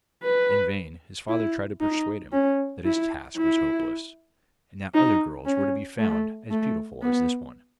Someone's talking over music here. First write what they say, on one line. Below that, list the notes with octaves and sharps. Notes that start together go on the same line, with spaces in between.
In vain his father tried to persuade him that his task was hopeless, and that other girls were to be found as beautiful as this one.
B4
E4
D#4
C#4
E4
E4
D#4
C#4
A3
A3
B3